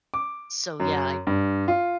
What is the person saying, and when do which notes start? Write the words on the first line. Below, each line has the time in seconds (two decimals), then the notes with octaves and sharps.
So, yeah I
0.14 D6
0.80 F#2
1.27 G2
1.68 F4